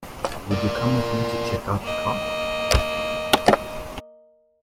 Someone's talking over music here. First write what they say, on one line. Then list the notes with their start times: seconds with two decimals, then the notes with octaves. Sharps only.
Would you come with me to check out the car?
0.51 A#4 D5
1.81 A#3 D#5